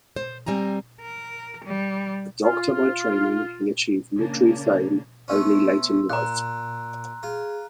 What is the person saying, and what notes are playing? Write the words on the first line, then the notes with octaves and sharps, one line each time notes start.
A doctor by training, he achieved literary fame only late in life.
C5
G3 C4 G#5 A#5
A#4
G3
F4
C#3 A#3 D4
A3 B3 C#4 C6 E6
A#2 A#5 F#6
F4 G#4